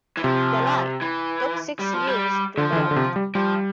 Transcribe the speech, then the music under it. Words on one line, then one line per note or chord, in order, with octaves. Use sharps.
The line took six years to build.
E3
C3 F3
E3
G3
F3
G3
D3 F3
E3
D3
D3
C3
G3
F3 G3